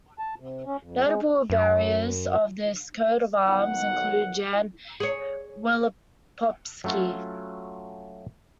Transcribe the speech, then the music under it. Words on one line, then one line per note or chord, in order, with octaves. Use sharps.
Notable bearers of this coat of arms include Jan Wielopolski.
A5
C3
C#4
F2
G#3
F#2
B1 D#3 F#5
G#4 C#5
F#3 A3 C#4 F4 F#4